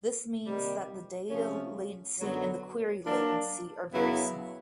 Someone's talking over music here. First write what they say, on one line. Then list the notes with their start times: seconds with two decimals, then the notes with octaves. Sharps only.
This means that the data latency and query latency are very small.
0.44 C3 D#3 G3 A#3
1.30 C3 F3 A3 C#4
2.18 F#2 D3 F#3 B3
3.05 F#3 A#3 D4
3.91 F#2 C#3 F#3 B3 E4